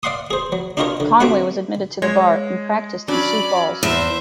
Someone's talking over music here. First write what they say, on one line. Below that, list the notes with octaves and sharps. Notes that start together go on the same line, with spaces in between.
Conway was admitted to the bar and practiced in Sioux Falls.
D5 F5 F#5 C6 D#6
G#4 C5
F#3
D4 D#4 F4 G4 A#4 C#5
D3
C4 F#4 G4 A4 E5 F#5
G#3 C#5
F#3 C#4 D4 D5 B5
E2 C5 E5